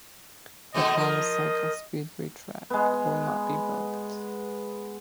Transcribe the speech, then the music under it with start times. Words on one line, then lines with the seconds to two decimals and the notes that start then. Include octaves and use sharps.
The promised cycle speedway track will not be built.
0.74 D#2 B2 A3 D#5
0.97 F3 A#4
2.70 G#3 B3